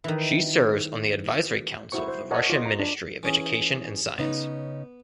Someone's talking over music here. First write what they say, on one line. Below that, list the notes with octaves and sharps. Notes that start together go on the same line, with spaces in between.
She serves on the advisory council of the Russian Ministry of Education and Science.
D#3 E3
E4 F#4 C5 C#6
C5
A#4 C#5 D#5 F#5 A5
F4 D#5
A#5
D4
E3 C#4 G#4
C#3 B3 C#4 D#4